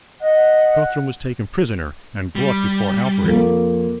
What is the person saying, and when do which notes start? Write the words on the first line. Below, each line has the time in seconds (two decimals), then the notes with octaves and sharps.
Guthrum was taken prisoner and brought before Alfred.
0.21 D#5 F#5
2.35 G3
3.23 F2 A#3